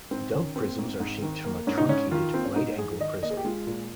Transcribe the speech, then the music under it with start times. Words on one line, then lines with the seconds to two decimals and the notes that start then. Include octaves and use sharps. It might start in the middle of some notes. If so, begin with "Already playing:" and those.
Dove prisms are shaped from a truncated right-angle prism.
0.11 G#2 C4
0.34 D#3 C#4
0.56 A#3 C4
0.78 G#2
1.00 G#2
1.22 D#3
1.45 A#3
1.67 G#2 C#4
1.78 D#4
1.89 G#2 C#4
2.11 D#3 F4
2.34 A#3 C4
2.45 C#4
2.56 G#2 D#4
2.78 G#2 G#4
3.00 D#3 D#5
3.23 A#3 D#5
3.30 G#4
3.37 G4
3.45 G#3 F4
3.67 A#2